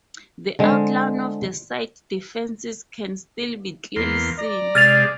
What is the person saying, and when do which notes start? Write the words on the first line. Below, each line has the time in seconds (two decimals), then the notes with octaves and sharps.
The outline of the site's defences can still be clearly seen.
0.59 D3 G#3 C4
3.96 E2 A#3 C6
4.39 D5 A#5
4.75 C3 G#3 G#4 F6 A6 F7